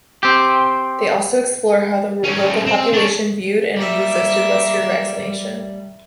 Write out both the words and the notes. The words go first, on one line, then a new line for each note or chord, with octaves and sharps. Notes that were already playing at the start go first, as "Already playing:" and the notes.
They also explore how the local population viewed and resisted western vaccination.
C4 G4
G2 C#4
C4
D4 C#5
G3 A#3 E5